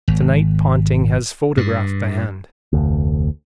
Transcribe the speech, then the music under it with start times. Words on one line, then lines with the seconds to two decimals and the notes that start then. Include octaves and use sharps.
To-night Ponting has photographed the hand.
0.08 G#1
1.57 G2
2.73 F1 D2